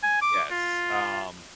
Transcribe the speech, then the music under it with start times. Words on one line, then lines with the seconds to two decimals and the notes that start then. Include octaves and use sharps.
Y yes, um,
0.03 G#5
0.22 D6
0.51 F4